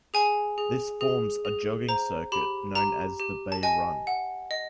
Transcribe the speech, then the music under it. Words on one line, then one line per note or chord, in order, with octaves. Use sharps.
This forms a jogging circuit known as The Bay Run.
G#4 G#5
G#4
G#4
G#4
C5 A#5
G4 B5
G4 A#5
G4
A5
D#5 G#5
F#5
D#5